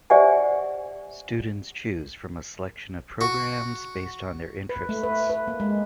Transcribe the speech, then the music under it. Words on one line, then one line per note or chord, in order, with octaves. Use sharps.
Students choose from a selection of programmes based on their interests.
G4 C5 D5 E5 F#5 G#5
F#4
B4
A3
B4
B4
A#3
G#3